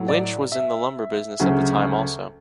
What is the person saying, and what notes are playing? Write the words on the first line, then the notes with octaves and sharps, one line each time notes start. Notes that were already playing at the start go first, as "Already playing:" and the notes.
Lynch was in the lumber business at the time also.
Already playing: A2 F#3
D5
E5
D2 C#3 F#3